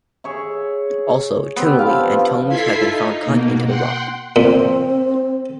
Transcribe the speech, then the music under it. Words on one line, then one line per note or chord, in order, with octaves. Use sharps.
Also, "tumuli" and tombs have been found cut into the rock.
G#4 C#5 E5
B3 C4 G4 B4
F3 D4 E4 F5
F3
E4 F4 A4 G#6 B6 C7
D#4
B2 A#3
F#5 G5 C6
A#2 C4